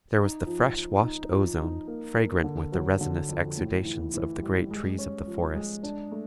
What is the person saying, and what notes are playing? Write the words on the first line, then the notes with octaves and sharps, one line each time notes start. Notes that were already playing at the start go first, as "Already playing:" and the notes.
There was the fresh-washed ozone fragrant with the resinous exudations of the great trees of the forest.
D#4
F3
F3
D#4
F3
D#4
A#3
A#3
D3
F#3
D3
F2
A2
E3
E3
G3
G#3
C#4
F3
G#3
D4
A3